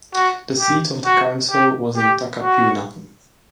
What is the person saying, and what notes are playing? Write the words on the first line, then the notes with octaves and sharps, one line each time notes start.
The seat of the council was in Takapuna.
F#4
G4
F#4
G4
G4
F#4